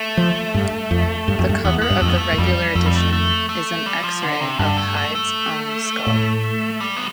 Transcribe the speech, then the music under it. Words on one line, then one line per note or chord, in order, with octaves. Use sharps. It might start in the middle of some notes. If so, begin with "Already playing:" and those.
The cover of the regular edition is an X-Ray of Hyde's own skull.
Already playing: A3
F3
G2
F2
G2
F2
G2
E2 B3
B3
G2
F2 A3
B3
A3
G2
F2 G3
F2 A3
G3
A3
A3
A3
G3
F3
D3
C3
G2 D3
A3
A3
A3
A2
G3
B3